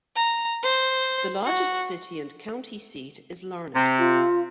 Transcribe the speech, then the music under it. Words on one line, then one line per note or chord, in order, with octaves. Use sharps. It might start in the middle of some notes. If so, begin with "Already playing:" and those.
The largest city and county seat is Larned.
A#5
C5
F#4
C3
F4